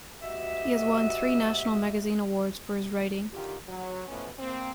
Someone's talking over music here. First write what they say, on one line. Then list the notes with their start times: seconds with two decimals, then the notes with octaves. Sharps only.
He has won three National Magazine Awards for his writing.
0.20 D2 F#4 G4 D#5 E5
3.32 D3 D#3 F4 G4
3.68 F#3
4.08 B2 E3 F3 A3 B3 C#4
4.39 A#3 C4